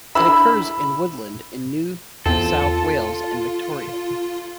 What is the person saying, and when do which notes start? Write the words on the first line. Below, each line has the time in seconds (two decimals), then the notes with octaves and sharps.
It occurs in woodland in New South Wales and Victoria.
0.15 D3 E4 E5 B5 E6
2.26 E2 C4 F4 A4